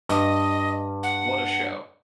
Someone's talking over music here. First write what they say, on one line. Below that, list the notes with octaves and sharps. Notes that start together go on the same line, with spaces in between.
What a show!
G2 D#5
F#5